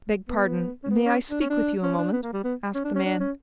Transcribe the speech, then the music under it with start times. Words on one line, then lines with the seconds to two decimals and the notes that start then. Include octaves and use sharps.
"Beg pardon; may I speak with you a moment?" asked the man.
0.29 B3
0.84 C#4
0.91 B3
1.06 C#4
1.31 D4
1.41 C#4
1.50 D4
1.83 C#4
1.98 D4
2.13 B3
2.23 A#3
2.33 G3
2.44 B3
2.75 C#4
2.85 D4
2.95 C#4
3.05 D4
3.20 C#4